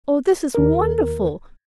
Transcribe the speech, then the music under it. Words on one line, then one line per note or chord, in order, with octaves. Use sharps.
Oh, this is wonderful!
D#2 A#4